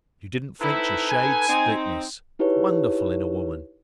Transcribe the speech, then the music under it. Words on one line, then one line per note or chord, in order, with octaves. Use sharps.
"You didn't flinch a shade's thickness. Wonderful in a woman!"
C4 D#4 E4 A4 B4
G#5
C4 D#4
D#4 E4 G4 G#4 B4 C#5